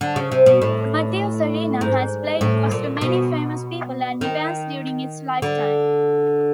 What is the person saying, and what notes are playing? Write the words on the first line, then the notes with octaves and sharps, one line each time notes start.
Matthews Arena has played host to many famous people and events during its lifetime.
D3
C#3
C3
B2
A2
G#2
A2
A#2
B2
D#3
D3